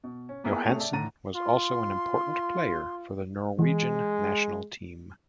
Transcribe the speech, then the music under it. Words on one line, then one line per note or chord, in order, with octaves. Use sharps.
Johansen was also an important player for the Norwegian national team.
B2
C#4
A#3 B3 E4 G#4 A#4
C3 A3 C#4 G#4 F7
D5 E5 A5
A2 D3 A#5 A6 D#7
F4 C6
E3 G#3